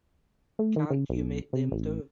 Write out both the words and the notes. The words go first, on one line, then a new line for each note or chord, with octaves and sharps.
Can't you make them do?
A3
D#3
C#3
B1
C3
A1